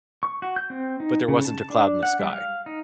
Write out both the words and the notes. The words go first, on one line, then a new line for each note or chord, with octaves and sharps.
but there wasn't a cloud in the sky
C#6
F#4
G6
C4
D#4
C#3
A5
D4
F#5
G3
F5
D#4